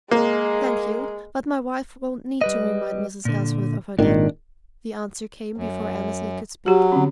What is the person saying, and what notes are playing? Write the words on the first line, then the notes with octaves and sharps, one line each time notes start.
"Thank you, but my wife won't need to remind Mrs. Ellsworth of her debt," the answer came before Annesley could speak.
G#3 A#3
G3 B4 D#5
A#2 D3
G#1 A#2 D#3 D4
F#2
F#3 F#4 G4
D3 C4 C#4